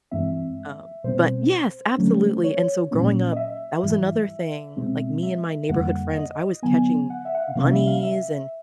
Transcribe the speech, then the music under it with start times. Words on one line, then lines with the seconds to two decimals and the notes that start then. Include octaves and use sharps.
uh, but yes, absolutely, and so growing up, that was another thing, like, me and my neighborhood friends I was catching bunnies and
0.11 G2 E3 G#3 C4 E5
1.04 B2 G3 C4 C5
1.97 D3 F#3 A3 C#4
2.44 C#5
2.91 A#2 F#3 A#3 C#4
3.32 D#5
3.37 E5
3.83 G#2 E3 G3
4.77 B2 G#3 C4
5.23 E5
5.69 F2 D3 G3 A#3 F#5
6.16 D#5
6.62 D3 F#3 B3 G#5
7.10 F#5
7.25 E5
7.35 F#5
7.40 F5
7.55 C3 F3 A#3 C#4 F5
7.71 E5
7.87 F5
8.03 E5